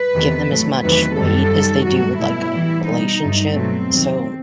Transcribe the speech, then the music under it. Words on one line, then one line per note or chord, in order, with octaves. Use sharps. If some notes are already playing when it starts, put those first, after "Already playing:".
give them as much weight as they do with, like, a relationship. So
Already playing: B4
E2 C3 D#3 A3
A2 F#3 A3
E2 C3 D#3 F#3 A3 B4
F#2 D#3 G3 A4
F#2 D#3 G3
G2 F#3 A3 F#4
B2 A3 E4
A2 E3 G3
B2 G3 D#4
G2 F#3 A3
B2 F#3 A3 C4
E2 C3 D#3 F#3